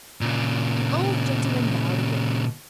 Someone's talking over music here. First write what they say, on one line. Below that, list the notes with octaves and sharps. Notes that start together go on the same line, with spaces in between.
The old gentleman bowed again.
A#2 C#3